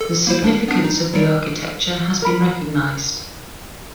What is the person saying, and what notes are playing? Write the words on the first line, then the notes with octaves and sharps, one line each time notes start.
The significance of the architecture has been recognized.
A4
A#3 E4 C5
G#1 D4
B3 D4
D#4
F#3 G3
A#4 B5